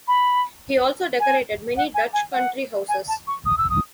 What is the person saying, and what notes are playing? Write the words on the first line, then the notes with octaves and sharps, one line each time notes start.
He also decorated many Dutch country-houses.
B5
G#5
F#5
G#5
G#5
F#5
G#5
A5
C#6
D#6
E6
D#6